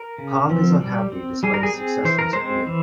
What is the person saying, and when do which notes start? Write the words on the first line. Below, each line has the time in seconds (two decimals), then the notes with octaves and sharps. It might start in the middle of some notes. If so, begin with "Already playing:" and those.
Hong is unhappy despite his success in his career.
Already playing: A#4
0.18 C#3
0.50 F3 C4
0.81 G3
1.12 C4
1.43 G3 G#4
1.54 A#4
1.63 G#4
1.74 C4
2.05 E3 C5
2.19 A#4
2.33 G#3 C5
2.41 C4
2.66 E3